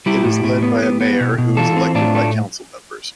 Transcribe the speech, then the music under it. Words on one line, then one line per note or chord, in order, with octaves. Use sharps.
It is led by a mayor, who is elected by council members.
G3 E4 G4
A2
A2
B3
B3
B3
B2
B2
E3 F4 A4
C4
A2 D4 F4
A3